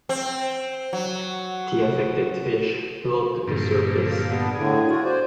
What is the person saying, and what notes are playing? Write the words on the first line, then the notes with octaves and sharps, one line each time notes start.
The affected fish float to the surface.
C4
F#3
G2 A#2 D3
F5
B3 D4
A2 D3 G#4
F4 F#4
C5 D5